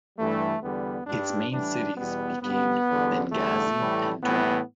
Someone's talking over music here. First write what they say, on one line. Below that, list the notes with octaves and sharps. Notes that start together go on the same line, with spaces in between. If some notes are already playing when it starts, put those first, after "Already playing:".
Its main cities became Benghazi and Derna.
G2 E3 G3 A3
E2 D3 G3 B3
G2 G3 D4
A2 E3 G3 D4
E2 B2 G3 B3
G2 D3 G3 B3
E2 D3 G3
E2 D3 G3 A3
A2 E3 G3
A2 E3 G3 B3